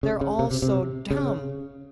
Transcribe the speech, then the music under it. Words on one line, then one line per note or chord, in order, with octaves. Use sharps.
They're all so dumb.
C#3
C#3
C3
C3
C3
C#3